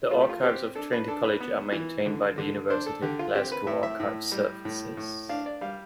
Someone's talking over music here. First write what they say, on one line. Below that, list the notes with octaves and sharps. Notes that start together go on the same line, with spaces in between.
The archives of Trinity College are maintained by the University of Glasgow Archives Services.
A3 F4
G4
F4
C4 G4
D4 A4
B4
D4 A4
B4
B3
E3
D3
D3
D4 C5
A4
D3 G4
F4
C4 G4
B4
A2 E5
E5
A2
G3
A2
A2
D4 F5
D5
G3 F5